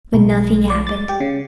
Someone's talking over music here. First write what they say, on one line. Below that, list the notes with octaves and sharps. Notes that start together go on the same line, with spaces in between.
But nothing happened.
B1
D5
A6
G4
C#3